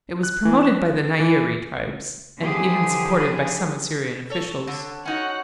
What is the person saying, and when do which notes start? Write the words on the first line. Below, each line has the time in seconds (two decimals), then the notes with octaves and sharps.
It was promoted by the Nairi tribes, and even supported by some Assyrian officials.
0.23 F#6
0.45 E3
0.63 E7
1.20 E3
2.39 D3 E3 F3 G4 G#4
4.30 A4 C#5
4.67 D3
5.05 C#4 D#4 F#4 F#5